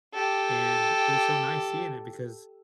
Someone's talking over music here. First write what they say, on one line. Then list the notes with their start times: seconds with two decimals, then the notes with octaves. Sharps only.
and it was so nice seeing it because,
0.14 G4 A4